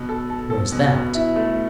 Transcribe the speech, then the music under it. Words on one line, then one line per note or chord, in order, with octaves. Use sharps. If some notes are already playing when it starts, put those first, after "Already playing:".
"Where's that?"
Already playing: B2
A4
A4
A4
B2
B2
E4
A3